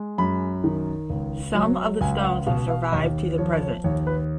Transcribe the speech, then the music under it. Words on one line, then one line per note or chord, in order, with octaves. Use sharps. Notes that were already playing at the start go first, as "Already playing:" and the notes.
Some of the stones have survived to the present.
Already playing: G#3
F#2 B5
D#3
C#2
F#3
C#2 G#5
F5
F#5
B2 F5
F5
D#2 D#5
F3 C#5
C#5
D#2 C#5
B4